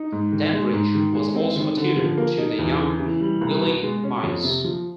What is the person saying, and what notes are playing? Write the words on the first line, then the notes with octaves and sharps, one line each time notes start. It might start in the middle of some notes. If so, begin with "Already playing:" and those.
Dandridge was also a tutor to the young Willie Mays.
Already playing: D#4
G#2
D#3
G#3
G#2
D#3
G#3
C4
D#3
D3
F3
A#3
D#4
E2
C#3
E3
G3
C2
B2
G#3
C#4
F2
C3
F3